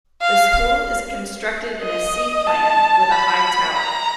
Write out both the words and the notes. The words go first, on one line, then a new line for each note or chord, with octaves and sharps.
The school is constructed in a C-plan, with a high tower.
F5
D#5
A5
B5
A#5